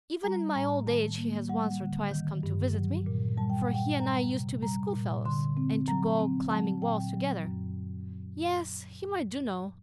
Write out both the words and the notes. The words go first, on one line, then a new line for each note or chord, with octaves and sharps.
Even in my old age he has once or twice come to visit me, for he and I used to be schoolfellows, and to go climbing walls together. Yes, him I do know.
G3 A#5
A2 A#5
D#3 A5
A#3
G3 F#5
D3
D#3
G2
F#3
A#2
G3 A5
G5
F#5
A#2
G5
G3 A#5
C3
G3 A#5
A#2
D3 C6
C4
F#3 A#5
C4
F#3 A5
A#2 G5
F#3
F#2